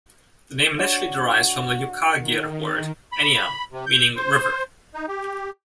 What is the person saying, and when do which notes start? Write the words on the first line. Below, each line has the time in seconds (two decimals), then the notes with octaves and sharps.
The name initially derives from the Yukaghir word "any-an" meaning "river".
0.79 D4 F#4 C#5
2.15 D#3
3.12 B5
3.72 C3
3.87 G6
4.16 C5
4.94 D#4
5.08 G4